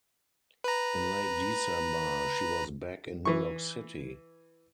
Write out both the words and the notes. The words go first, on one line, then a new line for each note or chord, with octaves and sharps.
In late December, she was back in New York City.
B4 A#5
E3 C#6